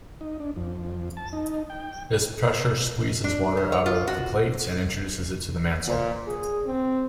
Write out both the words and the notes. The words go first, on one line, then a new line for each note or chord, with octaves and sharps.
This pressure squeezes water out of the plate and introduces it to the mantle.
D#4
D4
F2
A5
D#4
G5
D4
G3
C#5
F4
F#4
A#2
G#4
C4